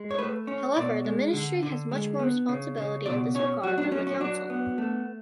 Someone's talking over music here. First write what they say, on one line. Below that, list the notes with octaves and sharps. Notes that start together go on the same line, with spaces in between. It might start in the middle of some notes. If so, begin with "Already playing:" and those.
However, the ministry has much more responsibility in this regard than the council.
Already playing: G#3
C#5
A3 B4
C#4
B2 D5
G#3
D3
D3
G#3
B3
C#3
C#3
B2 D5
C#4 C#5
F#3 F#4
D4
F#3 C#4
C#4
F#3 D4
B3
A3